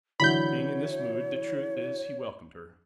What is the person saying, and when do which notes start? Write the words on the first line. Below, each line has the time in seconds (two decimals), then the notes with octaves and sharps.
Being in this mood the truth is he welcomed her.
0.20 D3 E3 F#3 C#5 B5 G6